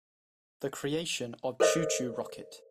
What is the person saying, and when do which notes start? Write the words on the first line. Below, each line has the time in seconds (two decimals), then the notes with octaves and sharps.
The creation of ChuChu Rocket!
1.60 A4 A#4 C5 C#5 D#5 E5